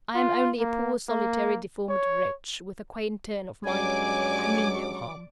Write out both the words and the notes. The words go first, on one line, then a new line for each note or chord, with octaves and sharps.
I am only a poor, solitary, deformed wretch, with a quaint turn of mind; I mean no harm.
F4
A#3
A#3
C#5
G2 F#3 G#3 C#4 D5 G#5 D6